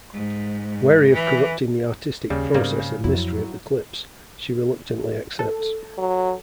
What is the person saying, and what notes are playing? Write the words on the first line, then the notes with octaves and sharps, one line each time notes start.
Wary of corrupting the artistic process and mystery of the clips, she reluctantly accepts.
G#2
E3
D#2 C#3 G3
G#2 G3 A#3 C4
F2 F#3 E4
A4
F#3